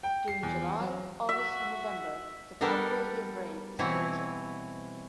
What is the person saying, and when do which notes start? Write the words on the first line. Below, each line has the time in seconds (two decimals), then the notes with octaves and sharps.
During July, August and November the probability of rain is greater.
0.03 G5
0.28 C7
0.43 E2
0.79 F#3
1.29 F#4 E5
2.61 G3 B3 D4 A4 A#4
3.79 B2 E3 C4 E4 C#5